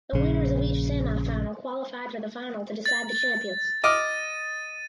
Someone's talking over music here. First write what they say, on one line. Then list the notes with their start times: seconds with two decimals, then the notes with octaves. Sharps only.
The winners of each semifinal qualified for the final to decide the champions.
0.13 A#1 C#3
2.86 A6
3.84 D#5 D6 F6 D#7